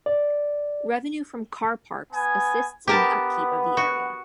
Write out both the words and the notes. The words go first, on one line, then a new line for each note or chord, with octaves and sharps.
Revenue from car parks assists in the upkeep of the area.
D5
B3 G#5
B3 G4 A#4 A5
F#4